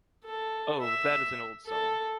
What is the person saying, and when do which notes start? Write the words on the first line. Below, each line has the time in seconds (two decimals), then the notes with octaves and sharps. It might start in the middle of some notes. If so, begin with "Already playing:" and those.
Oh, that is an old song!
0.25 A4
0.80 E5
1.67 A4